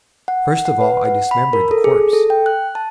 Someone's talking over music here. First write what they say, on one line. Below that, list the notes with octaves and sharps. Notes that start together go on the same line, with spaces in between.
First of all I dismembered the corpse.
F#5
F#5
B4
F#5
B5
A#4
A4
G#4
A4
G5
F#6
A5